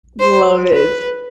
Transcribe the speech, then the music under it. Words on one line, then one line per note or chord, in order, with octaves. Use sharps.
love it.
C5
B4